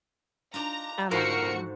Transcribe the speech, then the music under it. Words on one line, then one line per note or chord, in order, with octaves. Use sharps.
Oh my god.
D4 D#4 F4 A#5
G#2 F4 F#4 A4 A#4 C5 C#7